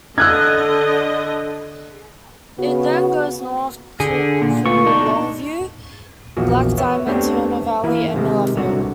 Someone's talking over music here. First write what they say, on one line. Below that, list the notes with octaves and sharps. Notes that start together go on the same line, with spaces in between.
It then goes north through Longview, Black Diamond, Turner Valley, and Millarville.
D3 D#5 E6 F#6 G#6
C#3 B3 F#4
D3 G#4
A#2
A#2 A3 F4 C#6
B2 D4 D#4
A#1 E2 F3 F#4
B3 C#5 E5
A3 B3 C4 D4 G4 C#5
E3 A#3 E4 B4
G#2 C3 D#3
C2 D3 F#4